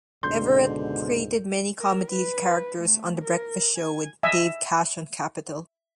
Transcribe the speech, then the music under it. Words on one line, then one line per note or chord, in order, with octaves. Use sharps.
Everett created many comedy characters on "The Breakfast Show" with Dave Cash on Capital.
C#2 G#2 B2 D3 C6 G6
A#4
B4
A3
A#4
G#5
D#5 E5 G#5